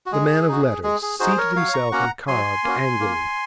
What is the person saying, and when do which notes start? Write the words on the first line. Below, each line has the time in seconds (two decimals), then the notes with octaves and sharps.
The man of letters seated himself and carved angrily.
0.06 F#4
0.12 G#3 G#4
0.48 D#4 F#4
0.83 G#3 G#4
1.02 G#4
1.19 D#4 F#4 G#4 C5
1.38 A#4 C#5
1.56 F#3 C#5 F5
1.73 A#5 C#6
1.92 A#3 C#4 F#4 F#5 A#5
2.28 F#3 G#5 C6
2.64 A#3 C#4 F#4
3.00 A#3